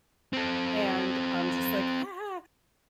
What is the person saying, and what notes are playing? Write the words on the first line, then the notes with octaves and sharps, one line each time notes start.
and I'm just like, "Ah!"
C4 A4